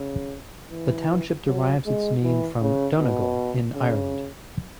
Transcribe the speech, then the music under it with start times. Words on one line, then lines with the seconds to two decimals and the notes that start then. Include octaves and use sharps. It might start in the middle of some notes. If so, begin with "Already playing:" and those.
The township derives its name from Donegal, in Ireland.
Already playing: C#3
0.71 E3
1.47 F#3
1.86 G#3
2.23 E3
2.61 C#3
2.99 B2
3.75 C#3